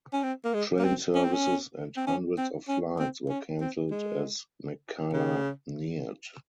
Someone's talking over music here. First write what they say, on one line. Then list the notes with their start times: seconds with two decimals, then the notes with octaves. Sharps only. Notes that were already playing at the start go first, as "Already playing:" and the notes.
Train services and hundreds of flights were cancelled as Mekkhala neared.
0.13 C#4
0.23 C4
0.45 A#3
0.54 G#3
0.79 A#3
0.85 C4
1.15 C#4
1.24 C4
1.33 C#4
1.97 C4
2.07 C#4
2.38 C4
2.68 C#4
2.99 C4
3.29 C#4
3.61 C4
3.91 G#3
5.13 C#3